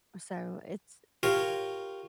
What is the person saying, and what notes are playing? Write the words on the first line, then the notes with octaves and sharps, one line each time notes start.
So it's
F4 G4 A#4 C#5 F5